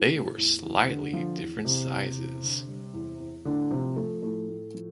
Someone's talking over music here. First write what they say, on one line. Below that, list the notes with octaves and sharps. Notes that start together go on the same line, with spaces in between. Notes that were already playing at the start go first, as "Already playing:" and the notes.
They were slightly different sizes.
Already playing: E3 E4
A2
E2
E2
D3
F3 F4
E2
E2 C3 C4
E2
E2
D3
G3
E2
E2
A2 D3 D4
C3 F3 C4
F3 A3
A2 A3
A2
F3